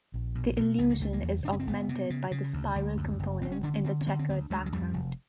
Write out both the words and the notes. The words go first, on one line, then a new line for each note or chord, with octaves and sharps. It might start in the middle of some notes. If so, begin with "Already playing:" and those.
The illusion is augmented by the spiral components in the checkered background.
A#1
B2
B2
C#2 B3
A#3
C#2 A3
A#3
E2
F#1 D4
C#4
C4
F#1 B3
C3
C#3
C#3
D2
D2
F#2
F#1
F#1 C4
C#4
D3 D4
C#4
D3 C4
C4
D3 B3
C4
D2 B3
D2 G#3
F#3
F2 G3
F1